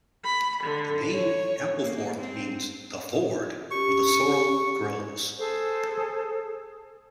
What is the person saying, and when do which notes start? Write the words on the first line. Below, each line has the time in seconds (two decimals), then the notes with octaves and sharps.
The name Ampleforth means the ford where the sorrel grows.
0.24 B5
0.63 D3
1.13 C#5
1.81 A#3
2.18 C4
3.71 C#4 G4 C#6
5.38 G#4 A4 C5